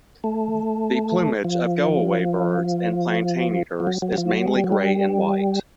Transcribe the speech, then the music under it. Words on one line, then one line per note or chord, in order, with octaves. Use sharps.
The plumage of go-away-birds and plantain-eaters is mainly grey and white.
A3
F3
F3
F#3
F#3
F3
F#3
G#3
G3
F#3
G3